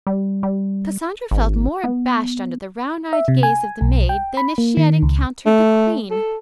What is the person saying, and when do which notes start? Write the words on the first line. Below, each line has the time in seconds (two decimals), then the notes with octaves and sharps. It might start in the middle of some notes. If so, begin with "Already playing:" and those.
Cassandra felt more abashed under the round-eyed gaze of the maid than if she had encountered the queen.
0.07 G3
0.43 G3
1.31 G#1
1.84 B3
3.13 E5
3.28 C3
3.43 G#5
3.81 B1
4.09 G5
4.37 B5
4.58 A#3
4.77 D#3
5.03 C#2
5.46 A3
6.11 A4